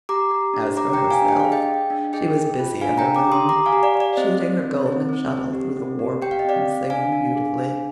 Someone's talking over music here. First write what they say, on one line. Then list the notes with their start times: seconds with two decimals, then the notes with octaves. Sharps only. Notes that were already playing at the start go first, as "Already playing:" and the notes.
As for herself, she was busy at her loom, shooting her golden shuttle through the warp and singing beautifully.
0.09 G4 A#5 D6
0.31 G4
0.54 D4
0.77 G4 A#5 D6
0.93 G5 A#5
0.99 G4
1.11 F5 G#5
1.22 D4
1.28 G5
1.40 G#4 F5
1.52 D#5 G5
1.68 G#4
1.90 D4
2.13 G#4 D#5 G5
2.36 G#4
2.59 F4
2.81 D4 F5 G#5
2.98 G5 A#5
3.04 D4
3.15 A#5 D6
3.27 G4 C6 D#6
3.49 G4 A#5 D6
3.66 F5 G#5
3.73 G4
3.83 D5 F5
3.94 G4
4.00 D5
4.17 C4 C5 D#5
4.41 C4
4.62 C4
4.86 C4
5.09 C4
5.31 C4
5.53 G4
5.77 C4
5.99 G4
6.22 G4 G5
6.31 F5
6.39 D#5
6.45 C4 D5 F5
6.68 C4
6.90 D4 F5 G#5
7.12 D4
7.35 G#4
7.58 D4